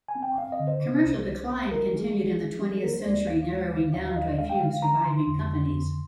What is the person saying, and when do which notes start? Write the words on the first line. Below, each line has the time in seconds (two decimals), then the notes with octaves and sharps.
Commercial decline continued in the twentieth century, narrowing down to a few surviving companies.
0.08 G#5
0.15 C4
0.23 G5
0.38 C4 F5
0.52 D#5
0.60 D3
0.67 C5
0.82 C3
1.05 C2
1.27 C2
1.49 C2
1.71 G#1 A#4
1.93 G#3 G#4
2.16 F3
2.38 F3
2.60 G3 G4
2.72 G#4
2.83 A#3 A#4
2.94 C5
3.05 D#2 D5
3.27 D#2 F5
3.49 G#3
3.72 D3
3.94 D#2 F5
4.06 F5
4.16 D#2 D#5
4.39 G#3 F5
4.50 G5
4.60 D3 F5
4.82 D3 A#5
5.05 D3 C6
5.27 F2
5.49 D3
5.72 F2